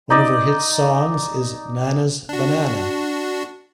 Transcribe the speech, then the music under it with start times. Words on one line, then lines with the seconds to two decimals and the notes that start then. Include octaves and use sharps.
One of her hit songs is Nanas Banana.
0.10 D#4 D5 D#5
2.29 D4 F#4